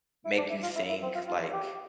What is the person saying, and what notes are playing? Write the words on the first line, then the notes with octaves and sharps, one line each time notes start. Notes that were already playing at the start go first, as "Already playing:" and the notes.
make you think, like,
E4
D4
E4
F4
E4
E4
C4
F4
F4
G4